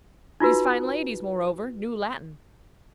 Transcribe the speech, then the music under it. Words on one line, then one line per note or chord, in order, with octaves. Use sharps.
These fine ladies, moreover, knew Latin.
D#4 F4 F#4 B4